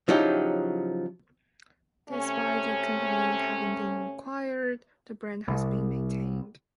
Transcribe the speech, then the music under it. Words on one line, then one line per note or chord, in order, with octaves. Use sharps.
Despite the company having been acquired, the brand has been maintained.
C#3 F3 F#3 D#4 E4 G4
C3 A3 C#4
C2